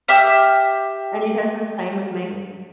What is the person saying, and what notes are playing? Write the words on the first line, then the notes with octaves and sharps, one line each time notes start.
and he does the same with me.
G4 E5 F6